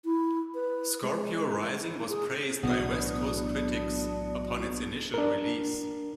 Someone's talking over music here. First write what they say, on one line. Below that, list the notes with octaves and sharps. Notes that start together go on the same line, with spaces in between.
"Scorpio Rising" was praised by West Coast critics upon its initial release.
E4
B4
G#3
E4
G#4
B1 A2 E3 B3 D4 F#4 D#6
D4 A#4